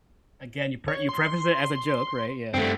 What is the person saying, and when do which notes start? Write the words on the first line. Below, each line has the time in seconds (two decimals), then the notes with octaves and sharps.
Again, you pre you preface it as a joke, right? Yeah.
0.88 C#5
1.09 C6
2.54 G2 A3 C4